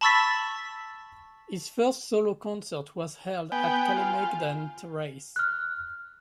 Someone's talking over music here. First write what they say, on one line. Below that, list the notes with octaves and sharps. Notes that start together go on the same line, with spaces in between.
His first solo concert was held at Kalemegdan terrace.
A5 B5 C#6 E6 A6 B6
B3 G5 G#5
F4
F6 F#6